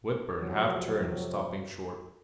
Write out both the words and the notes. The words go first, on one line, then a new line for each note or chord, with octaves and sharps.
Whitburn half-turned, stopping short.
F2 C3 F#3